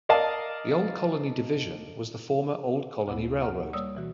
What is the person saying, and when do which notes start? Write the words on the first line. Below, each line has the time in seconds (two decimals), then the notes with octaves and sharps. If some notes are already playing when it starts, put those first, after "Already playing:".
The Old Colony Division was the former Old Colony Railroad.
0.09 A#4 D5 D#5 F5 A5
3.08 D2 A#2 B3 E4
3.41 F#5 A#5 C#6 F6
3.73 G3 A#3 C#5 D5 D#6 E6
3.95 B2 E3 F#4